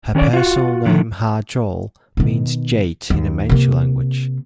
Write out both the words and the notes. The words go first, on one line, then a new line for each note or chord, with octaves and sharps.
Her personal name, Harjol, means "jade" in the Manchu language.
D#3 C#4 G#4 C#5 D5
F4 F#4
D3 D#3 F3
B2 D#3
D#2
C3 A#3